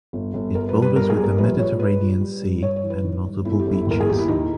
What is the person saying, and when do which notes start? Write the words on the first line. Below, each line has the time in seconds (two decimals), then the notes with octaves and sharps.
It borders with the Mediterranean sea and multiple beaches.
0.13 G1
0.34 G1
0.55 G2 A#4
0.69 B4
0.76 G3
0.82 B4
0.96 G1 A#4
1.10 G#4
1.17 G3
1.24 A#4
1.38 A#1 B4
1.58 A#2 C#5
1.79 G#3 B4
2.00 A#2
2.21 G3
2.42 G2
2.62 G2 C#5
2.76 C#5
2.83 E3
2.90 B4
3.04 D#3
3.25 G2
3.45 G1 E4
3.59 G4
3.66 G1
3.73 E4
3.86 D#2 A#4
4.00 G#4
4.08 D#2 G4
4.19 E4
4.28 D#2 D#4